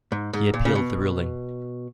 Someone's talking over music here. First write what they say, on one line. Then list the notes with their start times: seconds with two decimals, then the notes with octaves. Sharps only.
He appealed the ruling.
0.12 G#2
0.33 G#2
0.54 A#2
0.65 C#3
0.75 B2